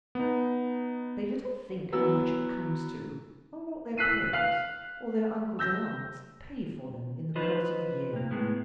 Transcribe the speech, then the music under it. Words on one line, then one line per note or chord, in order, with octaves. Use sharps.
They little think how much it comes to, or what their parents, or their uncles and aunts, pay for them in the course of the year.
B3 D#4
E3 F#3 B3 E6
E6 F#6 B6 C7 D#7
F5 F6 F#6 C7
E6 G6 A#6
F3 D#4 F4 B4 C5 D#5
C3 A#3
A2 G#3 B3